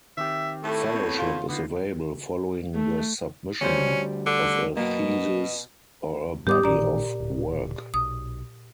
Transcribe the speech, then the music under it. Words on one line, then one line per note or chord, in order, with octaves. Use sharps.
Fellowship is available following the submission of a thesis or a body of work.
D#3 C4 G4 E5
A2 A3
B3 C4 C#5
F4
D3 B3 D#4 F4
A3
D2 G3 C#4 C5
D3
F#2 B2 A#3
G#2 G3 B3 G4 D6 D#6
A1 A#2 D#3 D5 A#5
D1
B1 D#6